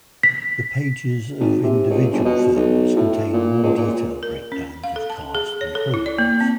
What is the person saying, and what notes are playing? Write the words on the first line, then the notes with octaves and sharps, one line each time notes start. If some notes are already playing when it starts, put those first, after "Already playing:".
The pages of individual films contain more detailed breakdowns of cast and crew awards.
B6
G#1
C3
C#2
G1
B2
B1
A2
A#2
C#2
A#2
A#4
C#4
F5
A4
A5
G#4
C#5
A4
E4
D5
A#3
C4